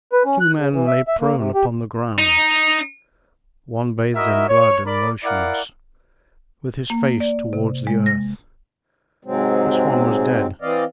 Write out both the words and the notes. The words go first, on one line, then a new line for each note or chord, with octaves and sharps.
Two men lay prone upon the ground, one bathed in blood and motionless, with his face toward the earth; this one was dead.
B4
C#4
F#6
C#3
E3
E5
E5
A#3
C3
G4
D#4
E4 F#4 A#4 D#5 E5
C#5
A#4 D5 B5
E4 A#4 D5 F5 F#5 D6
A#3
D5
C3
G#3
A#6
G#2 C3 F#3 G#3 C4
E3 C4 D5 D#5 F5